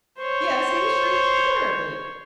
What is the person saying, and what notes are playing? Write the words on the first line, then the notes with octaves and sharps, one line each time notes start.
Yes, he shrieked terribly!
C5 C#5